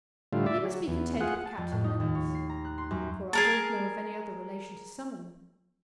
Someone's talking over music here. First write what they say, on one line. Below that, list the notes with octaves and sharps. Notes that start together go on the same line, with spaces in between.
We must be content with Captain Lennox; for I don't know of any other relation to summon.'
A2 D3 G3 F4
D5 E5
F#3
E2
F4 G#4 F#5
A5
F2
A2
D#4
D#2
C#5
C7
A#5
F#6
C6
F#2
G#4 A#4 A5